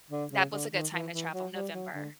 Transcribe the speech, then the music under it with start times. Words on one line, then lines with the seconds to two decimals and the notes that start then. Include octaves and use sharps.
That was a good time to travel, November.
0.10 D3
0.31 C#3
0.51 D3
0.72 D#3
0.92 E3
1.12 E3
1.32 F#3
1.53 G3
1.73 F#3
1.93 D3